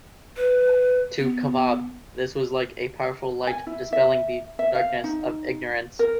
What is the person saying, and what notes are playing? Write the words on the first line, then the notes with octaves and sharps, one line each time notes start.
To Khabbab, this was like a powerful light dispelling the darkness of ignorance.
B4
B3
G#5
E4
E5
E5
F5
D#4
A#4